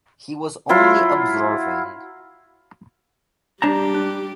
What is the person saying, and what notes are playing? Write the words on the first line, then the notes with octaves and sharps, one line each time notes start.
He was only observing.
F#3 E4 F4 C6
G3 D4 G4 A5 A#5
D4